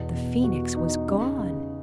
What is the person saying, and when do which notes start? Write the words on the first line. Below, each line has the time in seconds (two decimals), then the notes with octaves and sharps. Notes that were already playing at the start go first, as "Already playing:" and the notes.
The Phoenix was gone.
Already playing: E2 B2
0.12 B2
0.44 F#4
0.76 D#4
1.08 C#3
1.38 C#3